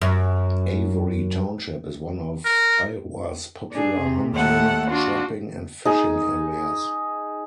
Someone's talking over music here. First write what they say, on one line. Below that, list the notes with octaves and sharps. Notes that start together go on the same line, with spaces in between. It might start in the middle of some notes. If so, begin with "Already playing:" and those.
Avery Township is one of Iowa's popular hunting, trapping, and fishing areas.
F#2
A#4
D4 G#4
C3
D#2 A3 A4 F#5
D4 F4 F#4
D#4 G#4